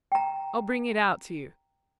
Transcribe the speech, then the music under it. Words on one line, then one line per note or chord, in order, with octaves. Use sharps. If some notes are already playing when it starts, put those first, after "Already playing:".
I'll bring it out to you.
G5 A#5